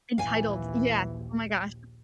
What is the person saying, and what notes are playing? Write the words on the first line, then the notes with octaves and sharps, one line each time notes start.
Entitled, yes, oh my gosh.
A#1 D#2 E3 F5 G#5